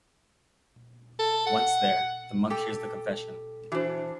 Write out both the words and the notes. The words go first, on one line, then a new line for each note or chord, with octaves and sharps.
Once there, the monk hears the confession.
A4
F#5
G4 A4 G5
E3 D4 F#4 C5